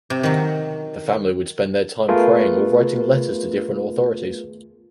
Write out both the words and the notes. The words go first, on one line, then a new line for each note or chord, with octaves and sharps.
The family would spend their time praying or writing letters to different authorities.
C3
D#3 F#3
A3 B3 F4 G#4 A#4 B4